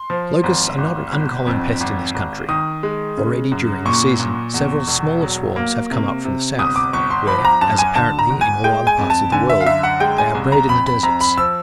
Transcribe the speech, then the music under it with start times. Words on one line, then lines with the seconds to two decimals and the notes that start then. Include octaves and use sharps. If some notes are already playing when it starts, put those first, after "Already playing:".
Locusts are not an uncommon pest in this country: already during the season, several smaller swarms had come up from the south, where, as apparently in all other parts of the world, they are bred in the deserts.
Already playing: C6
0.10 F3
0.44 G#1
0.78 G#1
1.12 G1
1.47 F2
1.80 G#1
2.14 G#1
2.49 D#3 D#6
2.83 G#3
3.17 C#3
3.52 F#2
3.85 A#2 C#6
4.19 A#2
4.54 E2
4.88 E1
5.22 F#3
5.56 A#3
5.91 C3
6.25 C3
6.59 G1 D#6
6.76 D6
6.93 G1 C#6
7.11 C6
7.27 F3 B5
7.45 A#5
7.61 F#2 A5
7.78 G#5
7.95 D3 A5
8.19 A#5
8.30 G1
8.41 G#5
8.64 G#3 G5
8.87 G#5
8.98 F2
9.10 A5
9.32 D3 G#5
9.49 E5
9.61 F5
9.66 F#2 E5
9.83 F#5
10.00 G#3 G5
10.18 G#5
10.35 C2
10.52 A#5
10.69 F2 B5
10.86 B5
11.03 F2 A#5
11.21 B5
11.38 F3 E6